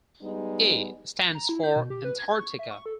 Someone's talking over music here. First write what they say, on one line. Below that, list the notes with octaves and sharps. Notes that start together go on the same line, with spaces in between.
'A' stands for Antarctica.
G3 G#3 B3 D#4
A#5
E4
G6
B2
G4
B4
G#6
C#6
E5
C#6
A4